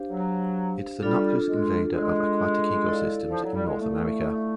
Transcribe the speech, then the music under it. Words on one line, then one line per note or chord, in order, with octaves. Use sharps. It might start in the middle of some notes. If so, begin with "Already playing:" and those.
It is a noxious invader of aquatic ecosystems in North America.
Already playing: D4 G4 C5 F5
F#3
G3 D4 F4 A4
G#3
G#3
E4 A4 D5 F5
F3
F#3
G3
G#3
A3